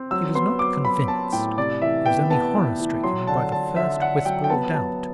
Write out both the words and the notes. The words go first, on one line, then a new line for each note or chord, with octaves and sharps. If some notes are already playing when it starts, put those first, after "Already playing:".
He was not convinced; he was only horror-stricken by the first whisper of doubt.
Already playing: C4
F#3 E6
B3 C6
F#3 D6
F#3 B5
B3 A5
A2 G5
C3 D5
E3 E5
B3 G5
B3 A5
B3
E3
F#3 C6
D3 A5
D3 A5
D3 E5
D3 F#5
F#3 G5
G5
B3 A5
F#3 A5